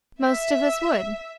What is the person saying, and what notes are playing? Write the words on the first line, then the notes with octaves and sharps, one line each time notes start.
"Most of us would."
E5